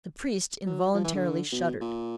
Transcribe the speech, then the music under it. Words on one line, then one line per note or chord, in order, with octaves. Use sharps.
The priest involuntarily shuddered.
F#3
F3
E3
D3
B2
A#2